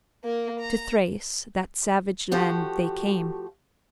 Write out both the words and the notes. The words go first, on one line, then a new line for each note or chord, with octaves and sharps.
To Thrace, that savage land, they came.
A#3 A#4
A#5
F3 A3 F#4 G4